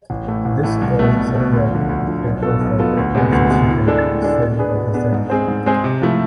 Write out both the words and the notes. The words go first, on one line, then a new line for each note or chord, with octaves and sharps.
This causes a rapid uptake of water and subsequent swelling of the cells.
A1
A2 E3 A3
A1
A2 E3 A3
C2
B2 A3
C2
B2 A3
D2
D3 F3
D2
D3 F3
B1
B2 B3 F4 A4
B1
B2 B3 F4 A4
D2
C3 G#3 B3
D2
C3 G#3 B3
A2
G#3 D4 A4
A2
G#3 D4 A4
B2
B3 D4 G#4 B4
B2
B3 D4 G#4 B4
G#2
G#3 C4 G#4 C5
G#2
G#3 C4 G#4 C5
C3
F3 A3 E4